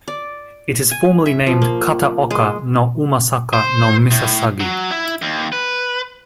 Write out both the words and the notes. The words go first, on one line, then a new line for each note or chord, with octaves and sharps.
It is formally named "Kataoka no Umasaka no misasagi".
D5
G#5
E5
F3
A#3
G#3
C5
A2
F#3
E4
D#2
B4